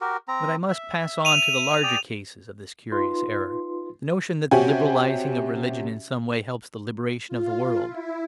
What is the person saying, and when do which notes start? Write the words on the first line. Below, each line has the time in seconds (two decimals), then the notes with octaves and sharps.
But I must pass on to the larger cases of this curious error; the notion that the "liberalising" of religion in some way helps the liberation of the world.
0.01 F#4 G4 A#4
0.28 C4 A#5
0.68 E5
1.25 D#7 F7
1.83 G#4 D5 G5
2.92 D#4 F4 B4 C6
4.51 C3 C#4 F#4 G4 G#5
7.28 F4
7.86 E4